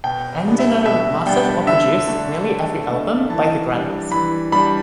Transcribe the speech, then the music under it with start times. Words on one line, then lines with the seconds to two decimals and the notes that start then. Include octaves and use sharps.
Endino mastered or produced nearly every album by The Grannies.
0.04 B2 G5
0.45 G3 B3 D4
0.59 E5
0.85 B2 E5
1.26 G3 B3 D4 G5
1.67 D3 E5
2.08 A3 D4
2.48 D3
2.89 A3 D4
3.30 E3 A5
3.71 G3 D4
4.11 E3 B5
4.52 G3 D4 B5